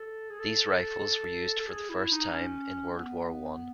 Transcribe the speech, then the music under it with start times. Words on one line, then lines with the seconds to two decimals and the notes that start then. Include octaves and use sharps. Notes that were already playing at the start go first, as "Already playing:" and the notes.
These rifles were used for the first time in World War One.
Already playing: A4
0.30 G#4
0.39 A4
1.60 A4
1.68 G#4
1.90 E4
2.11 D#4
2.32 C#4
2.96 B3